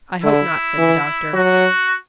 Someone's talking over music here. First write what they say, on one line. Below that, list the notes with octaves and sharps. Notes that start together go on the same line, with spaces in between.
"I hope not," said the doctor.
D3 E4
E3
F#3 F#4